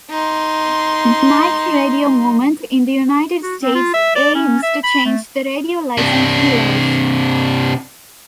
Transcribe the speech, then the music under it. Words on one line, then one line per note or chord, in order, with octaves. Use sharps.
The Microradio Movement in the United States aims to change radio licensing laws.
D#4 C6
F#4
C4
F4
E5
D5
C#4
E5
B5
A3
C3 D4